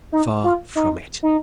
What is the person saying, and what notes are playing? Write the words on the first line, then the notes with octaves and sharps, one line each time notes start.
Far from it.
D#4
F4
D#4
D#4